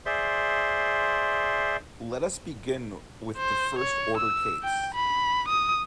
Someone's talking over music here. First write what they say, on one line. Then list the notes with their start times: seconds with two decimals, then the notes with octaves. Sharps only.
Let us begin with the first order case.
0.06 G#4 C5 D5 E5 C6
3.37 C5
3.79 C#5
4.17 E6
4.63 G5
4.94 B5
5.48 D#6